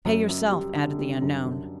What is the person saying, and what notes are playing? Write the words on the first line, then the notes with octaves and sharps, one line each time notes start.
"Pay yourself," added the unknown.
F#2
F#2
G3
D3
G3
F#2
F#2